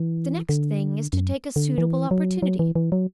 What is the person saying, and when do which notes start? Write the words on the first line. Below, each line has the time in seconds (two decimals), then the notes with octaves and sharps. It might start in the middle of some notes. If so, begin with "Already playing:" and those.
The next thing is to take a suitable opportunity.
Already playing: E3
0.49 D3
1.13 F#2
1.56 D3
1.78 E3
2.11 F#3
2.42 F#3
2.59 E3
2.75 E3
2.92 F#3